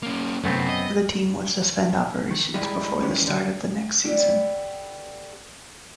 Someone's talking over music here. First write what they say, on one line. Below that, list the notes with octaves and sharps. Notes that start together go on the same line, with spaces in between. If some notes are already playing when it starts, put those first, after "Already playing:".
The team would suspend operations before the start of the next season.
A#3 C#4
F#2 C3 A3 B3 C4
D#5
D#3
G3 G#3 D#4 E4
D#3 E3 G3 G#3 C#4
D3
D3 G3 B3 G4